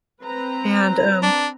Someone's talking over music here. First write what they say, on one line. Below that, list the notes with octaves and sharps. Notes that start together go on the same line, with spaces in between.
and, um,
C4 B4 A#5
D4